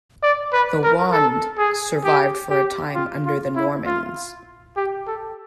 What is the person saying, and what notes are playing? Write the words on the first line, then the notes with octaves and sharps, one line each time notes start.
The 'wand' survived for a time under the Normans.
D5
B4
A#4
A4
G#4
G4
G4
F4
F4
E4
F4
G4
A4